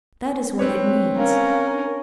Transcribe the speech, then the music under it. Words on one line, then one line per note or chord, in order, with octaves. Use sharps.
That is what it means.
C4 D4 B4 C#5
C#4 A#4 F5
D4